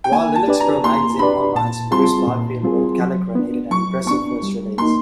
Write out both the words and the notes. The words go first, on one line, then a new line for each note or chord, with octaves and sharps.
While Linux Pro Magazine Online's Bruce Byfield wrote Calligra needed an impressive first release.
G5
A#3 G#5
A5
D4 G4 B4 D5
A#5
A#3 C6
D4 G4 B4 D5 B5
A#2 A5
G3 C4 F4 G#4 C6
A#2
G3 C4 F4 G#4
F#3
B3 D4
F#3 C#6
B3 D4 C#6
G3
A#3 D#4 C6